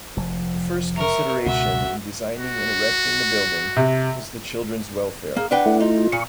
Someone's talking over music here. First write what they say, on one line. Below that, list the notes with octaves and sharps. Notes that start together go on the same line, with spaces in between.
The first consideration in designing and erecting the building was the children's welfare.
F1 F3
A#4 E5 C#6
C#2 B2 F#4 E5
F#4
C3
A#3 G#4
D4 B4 F#5 G5
A3 E4
D#4 F4
F4
A#2 C#6